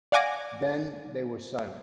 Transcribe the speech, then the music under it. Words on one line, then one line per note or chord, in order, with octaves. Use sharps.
Then they were silent.
D5 F5 F#5 G#5 D6 A#6